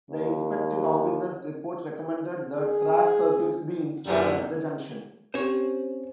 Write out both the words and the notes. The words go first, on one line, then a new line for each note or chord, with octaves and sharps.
The Inspecting Officer's report recommended that track circuits be installed at the junction.
D#2
G#4
F#2 A#2 D3 G3
C4 C#4 G4 C5 C#5